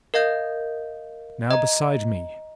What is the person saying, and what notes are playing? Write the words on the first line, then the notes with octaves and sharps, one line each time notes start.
Now beside me!
A#4 D#5 F5 G6
D#5 A#5